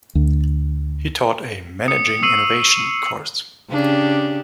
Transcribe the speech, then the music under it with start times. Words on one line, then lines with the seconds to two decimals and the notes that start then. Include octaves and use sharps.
He taught a "Managing Innovation" course.
0.15 D2
1.88 D#6 C#7
2.23 C#6 E6 C7 D#7 F#7
3.70 C#3 D4 G4